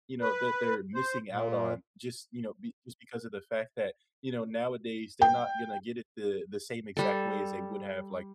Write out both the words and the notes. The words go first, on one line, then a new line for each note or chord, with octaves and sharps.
you know, that they're missing out on just, you know, be just because of the fact that, you know, nowadays, they're not gonna get it the the same exact way as they would have, like,
B4
C5
A#2
G5
G3 A4